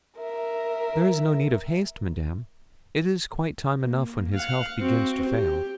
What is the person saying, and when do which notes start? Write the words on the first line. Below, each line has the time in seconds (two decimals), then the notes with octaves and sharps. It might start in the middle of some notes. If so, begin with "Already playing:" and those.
'There is no need of haste, Madame; it is quite time enough when his health begins to fail.'
0.19 A#4 E5
3.81 A#3
4.34 F5 F#5
4.81 C4 F#4
5.29 G4